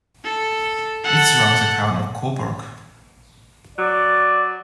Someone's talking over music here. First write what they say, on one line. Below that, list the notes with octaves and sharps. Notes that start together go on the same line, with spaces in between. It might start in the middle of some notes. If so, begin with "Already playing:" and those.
It surrounds the Town of Cobourg.
A4
A4 F#5
F#3 D5